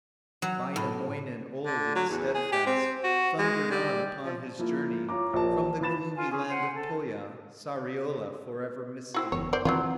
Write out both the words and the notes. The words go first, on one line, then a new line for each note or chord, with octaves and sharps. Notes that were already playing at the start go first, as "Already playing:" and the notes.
Vainamoinen, old and steadfast, Thundered on upon his journey, From the gloomy land of Pohja, Sariola for ever misty.
F#3
A2
D3
F#3
E2
G#4
G4
C4
F#4
G#3
G3
F3
F3 A#3 E4
F4 C#5 A#5 D6
A#1 F3 G4 A#4 A5
E3 F4 B5 A6 E7
F4 G#5
C#4 G#4
C5 F#5 G#5 C6
A4
C4 E4 F#4
F#1 E2 C#5
C5 D5
D#3 E3 F#3 B3 C4 F4